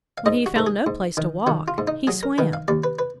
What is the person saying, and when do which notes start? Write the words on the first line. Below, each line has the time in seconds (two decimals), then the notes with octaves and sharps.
When he found no place to walk, he swam.
0.18 F5
0.26 G#2 D#5
0.46 F#4
0.56 G#2 A#4
0.67 G#4
0.87 G#2
1.17 D#3
1.47 D#3 F#4
1.68 F4
1.78 G#2
1.87 D#4
2.07 F#3 G#4
2.23 A#4
2.38 D#3 B4
2.53 F5
2.68 D#2 D5
2.84 B4
2.99 B4